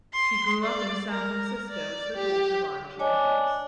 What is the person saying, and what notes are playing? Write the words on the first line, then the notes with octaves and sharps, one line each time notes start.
She grew up in San Francisco as the daughter of Irish immigrants.
C6
D5
A#4
D5
G4
D4 C#5 D#5 G#5